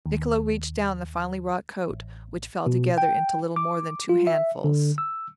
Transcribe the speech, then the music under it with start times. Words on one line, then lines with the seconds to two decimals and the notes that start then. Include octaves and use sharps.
Niccolo reached down the finely-wrought coat, which fell together into little more than two handfuls.
0.06 D#2
1.89 A1
2.66 B2
2.98 G5
3.56 D6
4.09 F4
4.27 E5
4.64 D3
4.98 E6